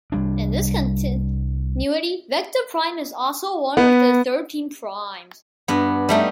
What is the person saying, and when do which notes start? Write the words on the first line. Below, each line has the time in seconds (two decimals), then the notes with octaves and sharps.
In this continuity, Vector Prime is also one of the Thirteen Primes.
0.12 C2 G3 D4
3.77 B3
5.68 G2 B3
6.09 G3 A3 D#4